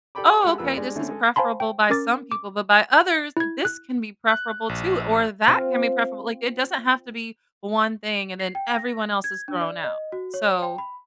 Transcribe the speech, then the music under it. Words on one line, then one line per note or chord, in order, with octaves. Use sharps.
"Oh, okay, this is preferable by some people, but by others, this can be preferable too or that can be preferable." Like, it doesn't have to be one thing and then everyone else is thrown out. So,
G4 A4 D5 G5 B5 D6
G#3 G4 A4 F#5
F2 A#3 B4 E6
G3 G#3 D4
D3 A3 C4 C#4 E4
G#3 G#4 A4
C5 F5 G#5 A5 B5 C6
G5
C#4 A#4 D6 A6
D6
E4 G#6
F#6
F#6
A#1
C4 F4
C7
G5
A#6
G#6
D4
D5
D#5
F#4
C#5
G5
B5